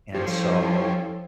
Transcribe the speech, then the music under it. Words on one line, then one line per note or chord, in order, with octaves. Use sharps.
And so,
F3 G3 C#4 E4 G4 A4 C5
C#5 G5